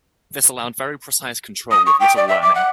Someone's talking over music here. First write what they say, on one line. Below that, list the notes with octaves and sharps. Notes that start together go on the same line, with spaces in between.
This allowed very precise control with little learning.
D#6
C#6
G5
D5
E5
D6
F#5